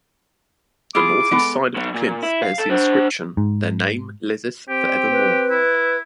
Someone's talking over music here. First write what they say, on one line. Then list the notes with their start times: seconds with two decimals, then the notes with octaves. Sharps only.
The northeast side of the plinth bears the inscription "Their name liveth for evermore".
0.95 E4 F4 G#4 D6
1.31 G#3 B3 A4
1.76 F#3 B3
1.94 A#2
2.23 E4
2.43 F5
2.58 A4
2.70 D4 C5
3.37 G#2
4.69 C4 G4
5.12 B4
5.50 E4